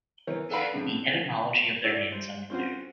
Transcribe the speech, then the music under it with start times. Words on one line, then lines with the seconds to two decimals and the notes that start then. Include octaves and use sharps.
The etymology of their name is unclear.
0.27 E3 B3 A#4 C#5
0.50 A4 B4 D5 F5 F#5 B5
0.74 F2 A2 C#3
1.84 E4 F#4 A4 C#5 D5
2.12 C5
2.50 C4 C#4 F4 F#4 C5